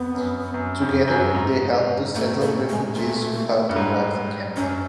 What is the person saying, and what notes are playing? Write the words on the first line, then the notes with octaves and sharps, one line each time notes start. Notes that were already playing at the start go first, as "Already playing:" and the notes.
Together they helped to settle refugees who had arrived in Canada.
Already playing: F2 B3
F#2
F#2
F2
F#2
G#2
A2 A3
A3
A#2
G#3
A#2 A3
G2
G#2
F#2 C#4